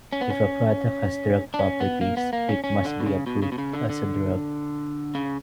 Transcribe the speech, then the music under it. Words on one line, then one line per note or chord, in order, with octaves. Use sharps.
If a product has drug properties, it must be approved as a drug.
C#4
B3
C#4
D4
C#4
B3
A#3
B3
A#3
C#4
C#4
D3
B2
C#3
B2
C#3
B2
C#3
D3
D3
C#3